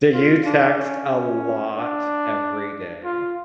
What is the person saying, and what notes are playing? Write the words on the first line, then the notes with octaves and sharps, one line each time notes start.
Do you text a lot every day?
F4
D4
C#4
C#4
D4
F4